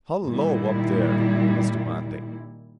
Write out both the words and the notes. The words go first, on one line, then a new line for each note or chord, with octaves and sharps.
"Hullo, up there!" he was demanding.
A#2 D#3 G3 E4